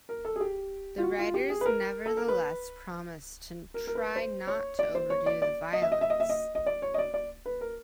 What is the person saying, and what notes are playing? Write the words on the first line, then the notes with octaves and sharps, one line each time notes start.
The writers nevertheless promised to try not to overdo the violence.
A#4
A4
G#4
G4
F4
F#4
F4
G4
G#4
B4
A#4
A4
A#4
B4
A#4
A#4
B4
C5
C#5
D5
C5
C#5
D5
D5
D#5
E5
D#5
E5
D#5
E5
D#5
D#5
D5
C#5
D#5
D5
D5
B4
A#4